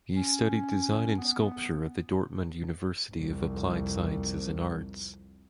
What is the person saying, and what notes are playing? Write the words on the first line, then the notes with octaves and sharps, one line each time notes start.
He studied design and sculpture at the Dortmund University of Applied Sciences and Arts.
C#4
B3
C2 F2